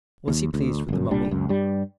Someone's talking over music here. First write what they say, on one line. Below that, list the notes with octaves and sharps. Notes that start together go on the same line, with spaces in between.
"Was he pleased with the mummy?"
D#2
D2
G1 F#2
C2 A#2 G3 D4
C#2 F#2
G2 G3